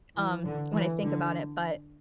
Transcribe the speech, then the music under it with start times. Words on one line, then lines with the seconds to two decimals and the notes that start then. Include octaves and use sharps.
funny, um, when I think about it. But,
0.16 E3
0.44 D3
0.72 E3
1.01 D3